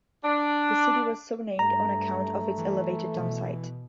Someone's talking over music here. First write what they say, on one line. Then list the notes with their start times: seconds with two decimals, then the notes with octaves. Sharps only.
The city was so named on account of its elevated town site.
0.23 D4
1.59 G2 A3 A#5
2.58 E3
3.14 B2